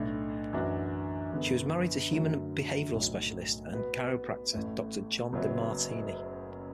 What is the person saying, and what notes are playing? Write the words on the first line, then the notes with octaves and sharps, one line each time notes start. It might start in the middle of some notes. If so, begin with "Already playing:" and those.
She was married to human behavioral specialist and chiropractor Doctor John Demartini.
Already playing: B1 A2 A3 D4
F#2 E3 D4 F#4
F#2 D3 B3
F#2 D3 F#3 A3
B1 A2 F#3
B2 B3 F#4 B4
A1 A2 A3
F#1 F#2 F#3 B3